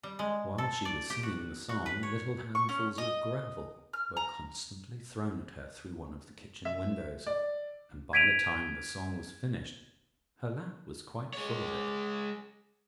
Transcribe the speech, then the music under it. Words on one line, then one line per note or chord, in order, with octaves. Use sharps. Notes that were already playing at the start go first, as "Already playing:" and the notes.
While she was singing the song little handfuls of gravel were constantly thrown at her through one of the kitchen windows, and by the time the song was finished her lap was quite full of it.
G3
G#3
A4
D5
G4
F#4
F#4
B4
C#5
C#6
C#4
D#5
F6
A#5
E5
D5
G#6 B6 D7 D#7 F7
G#3 C#5